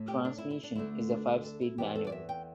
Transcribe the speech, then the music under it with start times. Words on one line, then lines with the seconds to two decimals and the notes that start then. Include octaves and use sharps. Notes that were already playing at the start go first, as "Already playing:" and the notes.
Transmission is a five speed manual.
Already playing: A2 A3
0.08 G4
0.25 D4
0.38 E4
0.51 E4
0.63 D4
0.75 D2 D3 A3 E4
1.10 D4
1.27 E4
1.43 A4
1.61 E4
1.78 E2 E3 B3 G4
1.95 A4
2.07 D5
2.12 E5
2.29 G5